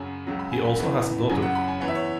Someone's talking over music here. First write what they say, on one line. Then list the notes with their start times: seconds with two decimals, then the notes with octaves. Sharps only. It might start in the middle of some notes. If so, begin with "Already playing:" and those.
He also has a daughter.
Already playing: F#2 C#3 F#3 G#5
0.27 C#2 C#3 F#3
0.39 B5
0.52 G#5
0.65 B5
0.78 E2 C#3 E3
1.29 F#2 C#3 F#3 G#5
1.42 F#5
1.55 B5
1.68 G#5
1.81 E2 E3 C#5
1.88 E5
1.95 C#5